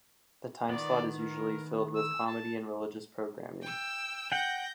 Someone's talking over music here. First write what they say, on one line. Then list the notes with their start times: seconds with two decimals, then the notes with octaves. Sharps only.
The time slot is usually filled with comedy and religious programming.
0.69 D#3 B3 D5
1.20 A#4
1.95 E6
2.26 A5
3.62 G5 E6
4.32 F#5 G5 G6 A#6